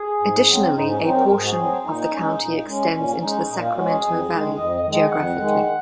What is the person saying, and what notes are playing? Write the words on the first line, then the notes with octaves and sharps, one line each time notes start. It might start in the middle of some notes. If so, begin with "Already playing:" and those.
Additionally, a portion of the county extends into the Sacramento Valley, geographically.
Already playing: G#4
G#2
F#3 C4
G#2 D#4
C#4
F#3 C4 D#4
A#4
G#2 A#4
G#4
F#4
G#4
F#3 C4
A#2 D#4
G#3 C#4
A#2
G#3 C#4
A#2 C#4
G#3 C#4 D#4
A#2 D#4
F4
G#3 C#4 F#4
G#4
F2
D#3 G#3
F2 D#5
D#5
D#3 G#3
D#5
F2 F#5
D#3 G#3